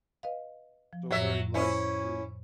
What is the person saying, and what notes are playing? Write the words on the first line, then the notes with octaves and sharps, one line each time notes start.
so very light fruit,
B4 D#5 F5
F3
F2 A2 F#3 E5
C#4 E4 C5